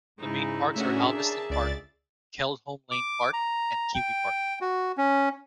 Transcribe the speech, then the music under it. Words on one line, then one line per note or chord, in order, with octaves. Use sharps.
The main parks are Alvaston Park, Keldholme Lane Park and Kiwi Park.
G#2 C#3 D#4 E4
A2 C#3 C#4 D4 F#4 G#4 A#4 E5
A5
C#2 D5 A6
D6
A#5
G5
F#4
C#4